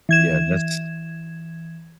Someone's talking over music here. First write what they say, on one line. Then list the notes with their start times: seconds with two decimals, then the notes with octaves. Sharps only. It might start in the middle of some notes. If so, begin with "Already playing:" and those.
Yeah, that's
0.09 E3 G#6 E7